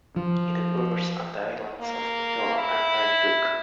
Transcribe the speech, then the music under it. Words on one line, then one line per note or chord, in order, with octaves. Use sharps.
It occurs on the islands of Mindoro and Marinduque.
F3
A#3
E4